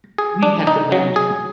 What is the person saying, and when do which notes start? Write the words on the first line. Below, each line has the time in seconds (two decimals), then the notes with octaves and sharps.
We had the band.
0.18 G#4
0.43 D4
0.67 D#4
0.92 F#3
1.16 G#4